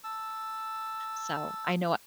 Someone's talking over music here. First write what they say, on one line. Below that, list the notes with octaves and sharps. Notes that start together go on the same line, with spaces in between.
so I know
A5 E6